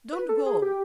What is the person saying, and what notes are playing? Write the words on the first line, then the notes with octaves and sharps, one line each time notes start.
Don't go!
B4
A4
G#4
G4